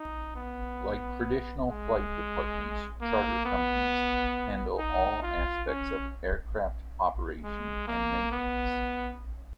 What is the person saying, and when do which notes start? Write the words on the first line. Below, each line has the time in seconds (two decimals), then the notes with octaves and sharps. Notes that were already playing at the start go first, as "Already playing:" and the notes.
Like traditional flight departments, charter companies handle all aspects of aircraft operation and maintenance.
Already playing: D#4
0.36 B3
1.68 G#3
3.02 A#3
3.46 B3
4.78 D#4
5.22 F4
5.67 C#4
7.44 G#3
7.88 A#3
8.32 B3